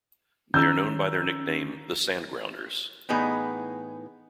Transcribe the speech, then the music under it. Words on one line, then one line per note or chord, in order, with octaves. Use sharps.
They are known by their nickname "the Sandgrounders".
D#3 C#4 A#5 E6 G6
A2 E3 B3 D#4 G#4